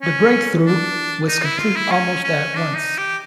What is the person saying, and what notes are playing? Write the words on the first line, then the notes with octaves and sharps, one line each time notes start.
The break through was complete almost at once.
C#4
D4
D#4
E4
F4
E4
C#4
C#4
D4
D#4
G4